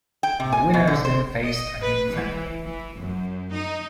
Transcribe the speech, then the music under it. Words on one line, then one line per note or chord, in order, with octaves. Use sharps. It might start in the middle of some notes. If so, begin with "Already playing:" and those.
The winners then faced a new family.
G5
C3
G#5
B2
D3
C5
D#5
B4
E3
E3
F#2
D#4